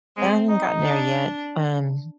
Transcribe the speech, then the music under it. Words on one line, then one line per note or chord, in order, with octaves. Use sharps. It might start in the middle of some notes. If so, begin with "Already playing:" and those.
Haven't gotten there yet, um,
G#3 C4
D#4
D4